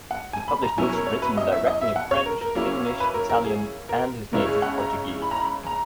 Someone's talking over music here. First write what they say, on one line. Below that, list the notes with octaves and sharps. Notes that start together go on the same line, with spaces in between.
He published books written directly in French, English, Italian, and his native Portuguese.
F#5
G#5
B5
A#5
B2 F#3 C#4 E4 G#5
A#4
C#5
B4
D#5
E5
D#5
E5
F#5
C#5
A#4
A#4
F#3 A#3 C#4 E4
B4
A#4
A#4
G#4
A#4
C#3 G#3 C#4 E4 A#4
G#4
F#5
A#5
B5
A#5
B5
A#5